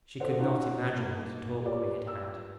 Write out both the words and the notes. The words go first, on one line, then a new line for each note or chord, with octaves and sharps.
She could not imagine what a talk we had had.
A4 C5 F#5
C#4 D#4 F#4 C#5 F#5
A#3
F4 G4 A#4 B4 C#5 D5
E6